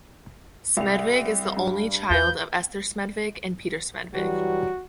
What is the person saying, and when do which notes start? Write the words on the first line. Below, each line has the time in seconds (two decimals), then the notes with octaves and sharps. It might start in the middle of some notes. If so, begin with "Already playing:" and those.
Smedvig is the only child of Esther Smedvig and Peter Smedvig.
0.77 C2 F7
1.57 G2
2.10 E2 F4 B4 G6
4.14 E3 F#3 G3 F#4